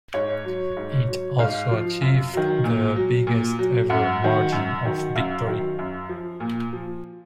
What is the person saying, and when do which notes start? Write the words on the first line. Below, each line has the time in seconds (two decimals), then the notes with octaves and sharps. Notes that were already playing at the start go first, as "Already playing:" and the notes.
It also achieved the biggest ever margin of victory.
0.14 G#2 C#5
0.45 F#3
0.77 G#2
1.08 F#3
1.39 G#2 F5
1.71 F3
2.01 F#2
2.34 D#3 F#3
2.64 A#2
2.96 F#3
3.27 A#2
3.59 F#3
3.90 F#2 F#5
4.21 D#3 F#3
4.52 F#2
4.84 D#3 F#3
5.15 F#2 F5
5.47 D#3 F#3
5.79 F#2
6.09 F3
6.40 A#2
6.73 F3